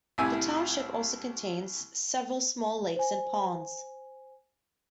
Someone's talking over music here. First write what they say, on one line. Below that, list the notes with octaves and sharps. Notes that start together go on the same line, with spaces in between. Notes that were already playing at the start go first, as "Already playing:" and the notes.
The township also contains several small lakes and ponds.
C2 A2 G3 E4 G4 G#5
C5 G#5